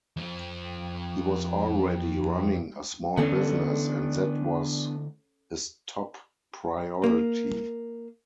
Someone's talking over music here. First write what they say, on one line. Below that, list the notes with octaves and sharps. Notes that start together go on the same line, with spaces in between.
He was already running a small business and that was his top priority.
F2 F3
D3 E3 A3 B3 C#4 D4 A4
A#3